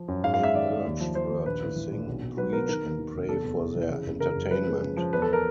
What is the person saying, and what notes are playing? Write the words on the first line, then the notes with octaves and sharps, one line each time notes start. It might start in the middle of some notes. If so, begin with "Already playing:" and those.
They urged her to sing, preach, and pray for their entertainment.
Already playing: F3
F#2
G#2 F5
F5
G#3 E5
D#3 D5
D#3
D#2
F3
F3 C5
D#2
A#1 B4
A2
E3
A#1
B1
B1
F#3 B4
B2 A#4
D#3 A#4
D#2
D#3
F1
E2 A4
E2
F1
E3
C#3
F#1
C#3 A#4
F#2
F3 B4
G#3
C#3
F3
E2 B4
A4
A#4